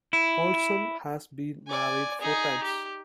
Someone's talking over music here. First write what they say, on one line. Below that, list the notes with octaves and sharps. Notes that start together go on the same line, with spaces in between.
Olson has been married four times.
E4
D5 G#5
D#4 G#4
G4